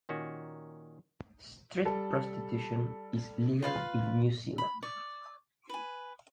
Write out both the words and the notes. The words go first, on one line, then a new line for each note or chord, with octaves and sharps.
Street prostitution is legal in New Zealand.
A#2 D#3 C#4 F#4
G3 A4
F4 B4 F5
B5
D5 C#6
B4 G#5